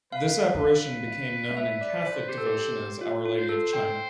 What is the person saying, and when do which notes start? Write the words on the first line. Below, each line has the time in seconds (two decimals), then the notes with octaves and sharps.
This apparition became known in Catholic devotion as Our Lady of China.
0.12 B4 F5
1.57 B4 E5
1.81 D5
2.05 C5
2.28 G4 C5
2.38 A4
2.46 G4
3.01 F4
3.25 F4
3.37 C5
3.49 A4
3.73 C5 G5